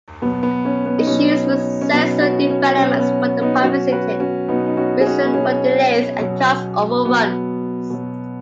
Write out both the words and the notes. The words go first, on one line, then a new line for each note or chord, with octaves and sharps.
Issues with sensor developments were the primary cited reason for delays and cost-overruns.
B2 F#3 B3
B3
C#4
B3
D#4
B2 F#3 C#4
C#4
B2 F#3 B3 D#4
C#4 F#4
C#4
B2 F#3 C#4
B3
C#4
B3 D#4
D#4
B2 F#3 C#4 F#4
F#4 B4
C#4 F#4
B2 F#3 B3 D#4
D#4
C#4 F#4
G#4
C#4 F#4
B3
B2 F#3 C#4
B2 F#3
B2 F#3 B3
B2 F#3